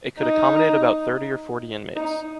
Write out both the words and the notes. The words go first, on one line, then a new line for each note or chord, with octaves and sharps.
It could accommodate about thirty or forty inmates.
D#4
D#4